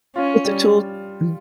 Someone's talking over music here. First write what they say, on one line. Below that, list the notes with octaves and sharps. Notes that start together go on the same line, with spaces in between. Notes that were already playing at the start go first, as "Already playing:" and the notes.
It's a tool, mm
C#4 F4
G3